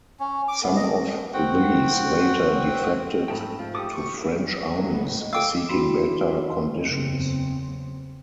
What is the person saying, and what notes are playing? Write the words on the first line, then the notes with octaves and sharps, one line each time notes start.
Some of these later defected to French armies seeking better conditions.
C#4
D6
B3
D#5
C4 F#4 F#5 G5
G#2 A3 D#5 G5 A5 B5
F3
G4 A4 D6 D#6
C#6
E4
F#3
B3
A2
G#3
A4 F5 G5 D6 E6 D7
D4 E4 F#4 B5 C6 E7
D#5 F5 C6
F#1 E2 C#3 B3 C4